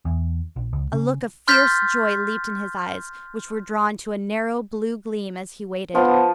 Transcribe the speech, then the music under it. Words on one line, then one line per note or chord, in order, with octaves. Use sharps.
A look of fierce joy leaped in his eyes, which were drawn to a narrow blue gleam as he waited.
E2
A#1
C#2
C#3
C6 F6 G6 A6 B6
F3 B3